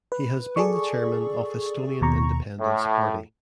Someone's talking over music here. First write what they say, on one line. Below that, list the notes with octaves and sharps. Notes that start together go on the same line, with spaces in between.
He has been the Chairman of Estonian Independence Party.
B4
G#4 A4 D5 C#6
D#2 B2 A#5 C#6
A2